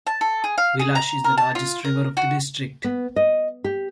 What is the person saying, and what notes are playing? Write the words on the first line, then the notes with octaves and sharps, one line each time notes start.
Vilash is the largest river of the district.
A5
A4
G#4
F5
G#4
A#5
A#4
A5
F4
A#4
F#4
B3
D#5
G4